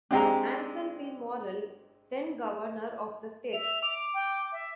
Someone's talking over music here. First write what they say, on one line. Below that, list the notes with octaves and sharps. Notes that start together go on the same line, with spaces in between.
Anson P. Morrill, then governor of the State.
G#3 C4 D4 G4 G5 A#5
E5 F7
D6
G5
E5